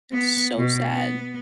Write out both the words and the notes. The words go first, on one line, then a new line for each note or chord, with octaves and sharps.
It's so sad.
B3
B2
B3